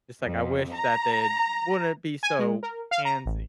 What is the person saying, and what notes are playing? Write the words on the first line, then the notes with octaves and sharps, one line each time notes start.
It's like I wish that they wouldn't be so handsy.
F2
A#5
G#5
G#3
A#4
F5
A#5
A1